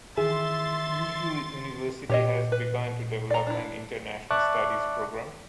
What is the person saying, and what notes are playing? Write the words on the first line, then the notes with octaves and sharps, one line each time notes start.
Yeoju University has begun to develop an international studies program.
D#3 E3 G#4 E5 C6 A6
A#2 G4 C#5 D#5
B4
D5 A#5
D4 E4
D5 E5 A5 C#6 D6 F#6